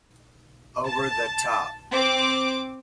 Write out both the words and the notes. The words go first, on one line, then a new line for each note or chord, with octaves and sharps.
Over the Top!
A5
C4 D6